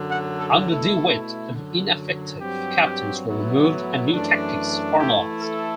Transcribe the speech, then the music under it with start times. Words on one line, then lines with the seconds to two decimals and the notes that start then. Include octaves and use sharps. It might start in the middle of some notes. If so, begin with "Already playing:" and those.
Under De Witt, ineffective captains were removed and new tactics formalised.
Already playing: F#2 D3 F#3
0.10 F#5
0.39 A4
0.68 B2 A3 E4 A4
1.54 F#2 D3 F#3
2.40 G2 F#3 C4 G4
3.26 A2 F#3 B3 E4
4.12 F#2 E3 A3 D4
4.99 E3 A3 E4 G4
5.42 A4